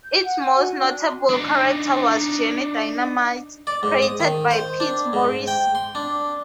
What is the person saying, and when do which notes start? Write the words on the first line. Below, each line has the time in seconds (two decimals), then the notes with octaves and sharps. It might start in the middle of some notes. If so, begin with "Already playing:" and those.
Its most notable character was Johnny Dynamite, created by Pete Morisi.
0.03 G6
0.23 F#5
0.40 G#5
0.56 F#4
0.81 D4
0.99 C6
1.30 D4 D#4
3.67 D5
3.83 G#2
4.02 D#6
4.20 D#3
4.51 C5
4.80 D4
5.13 G#2
5.47 G5
5.75 C6
5.95 D4